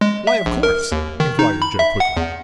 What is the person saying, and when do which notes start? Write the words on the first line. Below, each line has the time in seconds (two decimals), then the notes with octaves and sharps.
"Why 'of course'?" inquired Joe quickly.
0.01 G#3
0.27 E5
0.46 A#1
0.63 A#4
0.92 D#2
1.20 D#3
1.39 D#4
1.62 B5
1.79 E5
2.00 F#5
2.17 E2